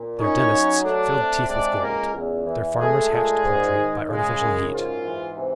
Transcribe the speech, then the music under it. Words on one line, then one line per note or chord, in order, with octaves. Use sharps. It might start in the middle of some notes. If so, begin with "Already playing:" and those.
Their dentists filled teeth with gold; their farmers hatched poultry by artificial heat.
Already playing: A#2
C#4 D#4 C#5
F#3
A3 D4 D5
C3
G#3 D4 D5
C#2 A#3 A#4
E2
E3
G#3 A3 G#4
A#2 G#3 G#4
G#2
D#3
C#3 G#3 G#4
F#2
G#2 F4
E3
C3